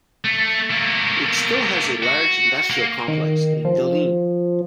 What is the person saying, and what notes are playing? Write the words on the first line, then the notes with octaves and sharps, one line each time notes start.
It still has a large industrial complex in Geleen.
A3
A3 A#3
F#4
A#3
D#3
F3